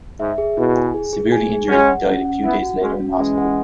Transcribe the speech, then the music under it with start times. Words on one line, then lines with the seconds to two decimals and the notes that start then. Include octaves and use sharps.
Severely injured, he died a few days later in hospital.
0.19 G#2 E5
0.38 G#4
0.57 B2 E4
0.76 G#5
0.94 G#4
1.13 G#4
1.32 G#5
1.50 G#4
1.69 G#3 C#4 F#5
1.88 F#5
2.07 C#4
2.25 F#5
2.44 B3 E4 F#5
2.63 F#4
2.81 G#3 C#4 F#4
3.00 C#4
3.18 E3 G#3 C#4
3.38 F#5